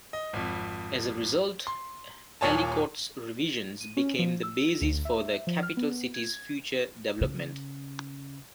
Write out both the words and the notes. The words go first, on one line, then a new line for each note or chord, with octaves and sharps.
As a result, Ellicott's revisions became the basis for the capital city's future development.
D#5
G#1 F2
C6
D#1 D#2 A#2 C#5 G#5 A5
D#7
C#4
F3
E6
D2
E5
F3
F6
B3
G#6
C#3